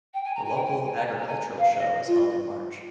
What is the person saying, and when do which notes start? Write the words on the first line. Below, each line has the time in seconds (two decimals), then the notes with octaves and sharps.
The local agricultural show is held in March.
0.14 G5
0.24 G#5
0.35 A#5
0.44 G#5
0.55 G5
0.65 G#5
0.86 G#5
0.97 A#5
1.06 G#5
1.17 A#5
1.27 G#5
1.58 F5
1.73 F5
1.78 D#5
2.06 F4